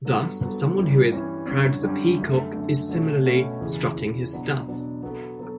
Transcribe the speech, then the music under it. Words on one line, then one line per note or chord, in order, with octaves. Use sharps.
Thus, someone who is "proud as a peacock" is similarly "strutting his stuff".
G2 F#3 B3 F#4 A4
G2 F#3 B3 F#4 A4
G2 E3 G3 C#4
G2 E3 G3 C#4
F#2 D3 G3 C#4
F#2 D3 G3 C#4
F#2 D3 A3
F#2 D3 A3
B2 A3 C#4
B2 A3 C#4
E2 C#3 E3
E2 C#3 E3
B2 F#3 B3 D4
B2 F#3 B3 D4
F#3 B3 F#4 A4
F#3 B3 F#4 A4